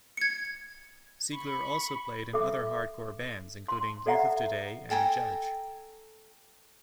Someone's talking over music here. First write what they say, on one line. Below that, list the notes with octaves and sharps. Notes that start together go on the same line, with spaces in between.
Siegler also played in other hardcore bands, including Youth of Today and Judge.
G#6 C#7
B5 C#6
A4 E5 D6
C6
A4 D5 E5 F#5 A#5
A4 G5 G#5 A#5